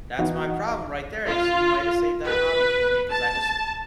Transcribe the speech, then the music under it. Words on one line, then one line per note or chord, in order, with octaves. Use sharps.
That's my problem right there. You see, you might have saved that hobby for me 'cause I just
E3 B3 D#4 F#4
F4
B4
A5